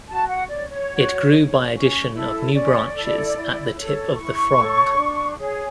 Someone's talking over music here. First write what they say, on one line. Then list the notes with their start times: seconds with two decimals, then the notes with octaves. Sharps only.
It grew by addition of new branches at the tip of the frond.
0.09 F#4 A5
0.28 F#5
0.49 C#5 D5
0.69 C#5
0.90 F#4
1.30 C#5
1.71 C#4
2.13 E4 A4
2.53 C#4 D5
2.94 E4 A4
3.34 E4
3.75 A4 C#5
4.16 E4 C#6
4.56 A4 C#5
4.97 D4
5.38 G#4 C#5